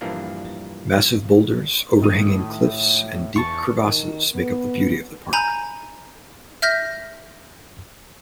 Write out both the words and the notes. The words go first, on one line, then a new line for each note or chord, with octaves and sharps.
Massive boulders, overhanging cliffs and deep crevasses make up the beauty of the park.
G2 A#2 E3 F3 A#3 D4
A2 D#3 D#6 D#7
E2 A5 C#6
D#3
B3
G#5 A#5 B5 G6
E5 F6 G6 A#6 B6